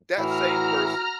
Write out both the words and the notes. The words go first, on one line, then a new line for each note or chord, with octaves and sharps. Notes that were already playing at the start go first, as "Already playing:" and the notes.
that same person
A2 E3 E4 F#4 A#5 F6